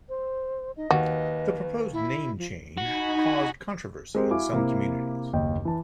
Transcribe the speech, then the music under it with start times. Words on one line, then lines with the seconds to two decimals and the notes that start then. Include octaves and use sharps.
The proposed name change caused controversy in some communities.
0.09 C5
0.77 D#4 D#5
0.91 D#2 F#4 B4
1.93 E4
2.37 F3
2.77 D#4 F#4 G#5 B5
4.15 G#3 C4 G4 A#4 C5
4.30 E4 F#4 E5 F5 G#5 D6
4.53 C3 A#3 E4
5.33 F#1 D#2 D#5 G5
5.65 E3 A5